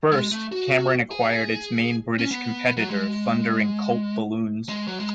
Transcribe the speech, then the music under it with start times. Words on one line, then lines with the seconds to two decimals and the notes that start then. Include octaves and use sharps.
First, Cameron acquired its main British competitor Thunder and Colt Balloons.
0.12 G#3
0.32 A3
0.52 F#4
1.11 G#4
2.19 C#4
2.31 B3
2.77 F#3
2.90 G#3
4.69 G#3
4.88 F#3
4.99 G#3